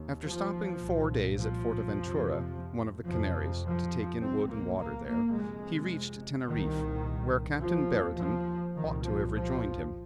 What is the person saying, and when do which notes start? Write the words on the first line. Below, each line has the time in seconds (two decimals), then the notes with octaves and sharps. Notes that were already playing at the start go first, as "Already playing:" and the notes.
After stopping four days at Fortaventura, one of the Canaries, to take in wood and water there, he reached Teneriffe, where Captain Brereton ought to have rejoined him.
Already playing: D#2
0.22 F3
0.79 C2 A#2
1.37 F3
1.94 F2 C3
3.07 F2 C3 F3
3.64 F3
4.20 C2 A#2 C4
4.48 A#3
4.77 A#3
5.06 A#3
5.34 F2 C3 G#3
6.47 C2 A#2 D#3
7.61 D#2 F3
8.18 F3
8.75 C2 A#2 D#3
9.03 F3
9.32 F3